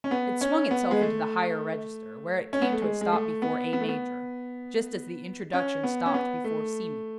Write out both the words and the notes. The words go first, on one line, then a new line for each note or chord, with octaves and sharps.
It swung itself into the higher register, where it came to a stop before A major, just as the introduction stopped before C major.
C#4
B3
C#4
B3
G#3
A3
C#4
B3
A3
G#3
G#3
A3
B3
B3
A3
B3
C#4
B3
C#4
B3
A3